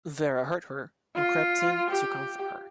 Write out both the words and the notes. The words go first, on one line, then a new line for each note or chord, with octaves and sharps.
Vera heard her and crept in to comfort her.
F4
G4